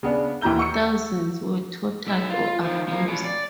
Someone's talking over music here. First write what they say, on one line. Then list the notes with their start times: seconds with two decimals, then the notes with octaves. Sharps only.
Thousands were tortured or abused.
0.03 C#3 B3 D4
0.41 D#2 E3 E4 A#5 G6 G7
0.58 F#5 C#6 E6 C#7
2.07 B1 E5
2.30 F4
2.63 D#3 F3
2.88 F3 A#3
3.08 B2 C#4
3.25 D5